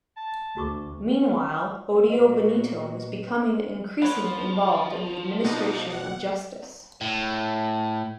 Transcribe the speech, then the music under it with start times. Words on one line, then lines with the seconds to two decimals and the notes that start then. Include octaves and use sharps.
Meanwhile, Odio Benito was becoming increasingly involved in the administration of justice.
0.17 A5
0.57 D2 F#4 C#6 D6
2.10 A#2 A#3 F#4 B4 D#5
4.02 F3 B3 C#5
5.45 B2 D4 D#4
5.90 F#5
7.01 A2